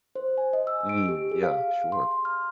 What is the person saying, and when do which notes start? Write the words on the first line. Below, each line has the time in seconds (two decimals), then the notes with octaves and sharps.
Mm, yeah, sure.
0.15 C5
0.38 G#5
0.53 D#5
0.67 E6
0.89 D7
1.08 G4
1.31 G#4
1.43 F5
1.92 C6
2.11 C6
2.25 F6